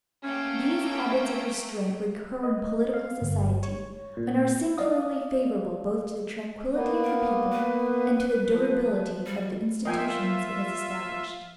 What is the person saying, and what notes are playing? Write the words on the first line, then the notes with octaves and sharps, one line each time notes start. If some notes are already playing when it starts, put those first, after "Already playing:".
These habits of restraint recur in political society, and are singularly favorable both to the tranquillity of the people and to the durability of the institutions it has established.
A3 A#3 C#4 G5
D#5
F5
G1
C#5
A#2
D5 D#5 F5 D#6
A#3 B3
A#4
B4
F3
G3
F3 A#3 F4 D#5 E5 G5 G#5